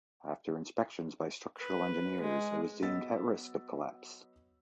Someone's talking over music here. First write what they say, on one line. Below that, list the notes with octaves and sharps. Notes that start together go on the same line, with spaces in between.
After inspections by structural engineers, it was deemed at risk of collapse.
B4
G#3
F#3 B3 D#5 E6 A6 B6